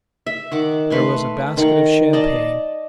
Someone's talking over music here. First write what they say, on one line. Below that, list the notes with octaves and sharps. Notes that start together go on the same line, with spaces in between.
There was a basket of champagne.
E5
D#3 F#5 D6
A3 B4 C6 C#6
D#3 F#5 A#5
D5 D#5 A5